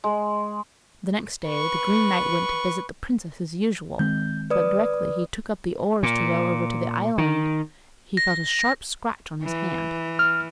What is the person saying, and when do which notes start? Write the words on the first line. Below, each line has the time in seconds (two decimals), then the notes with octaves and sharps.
The next day the Green Knight went to visit the princess as usual; but directly he took up the oars to row over to the island he felt a sharp scratch on his hand.
0.04 G#3
1.47 B4 C#6
3.99 D#3 G#3 C4 G6
4.50 B4 D5 D#6
6.03 A#2
7.18 D#3
8.17 A#6
9.43 E3
10.19 F6